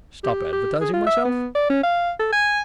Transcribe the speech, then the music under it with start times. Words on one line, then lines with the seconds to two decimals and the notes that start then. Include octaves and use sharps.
Stop advertising myself!
0.24 G4
0.53 G4
0.81 G#4
0.93 F4
1.06 E5
1.25 B3
1.55 D5
1.70 C#4
1.83 F5
2.19 A4
2.33 G#5